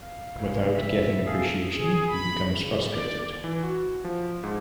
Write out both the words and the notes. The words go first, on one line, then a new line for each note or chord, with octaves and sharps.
Without getting appreciation he becomes frustrated.
F5
F1 C#3
E5
G#4 A4 F5
G#4
B5
C#3
D5
E3
F#4
F3
G#2